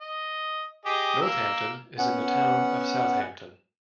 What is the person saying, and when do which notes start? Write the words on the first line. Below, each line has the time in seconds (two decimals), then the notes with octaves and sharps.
Northampton is in the Town of Southampton.
0.01 D#5
0.85 G4 G#4 D#5
1.21 A#3 A#4 E6
1.98 B3 C#4 F#5